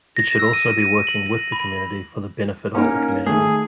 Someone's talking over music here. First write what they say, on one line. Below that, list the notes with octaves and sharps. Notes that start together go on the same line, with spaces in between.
It should also be working with the community for the benefit of the community.
A#6
E6
D#7
D#7
F#7
A#6
B5
A#3 C#4 D#4 A#4
D#3 A3 G#4